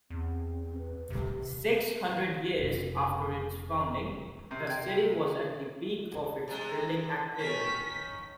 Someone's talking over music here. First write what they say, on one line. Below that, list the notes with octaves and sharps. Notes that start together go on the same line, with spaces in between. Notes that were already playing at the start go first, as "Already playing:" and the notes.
Six hundred years after its founding, the city was at the peak of its building activity.
E2 C4
B4
C3 G4
F1 C3
C3
G5 G#6
C3 G#3
D#3 C#4 B6